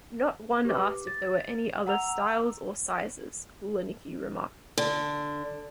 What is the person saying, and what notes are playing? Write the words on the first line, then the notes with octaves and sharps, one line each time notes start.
Not one asked if there were any other styles or sizes, Hulanicki remarked.
G4 B4 D6
A6
F#5 A#5 E6 F7
D3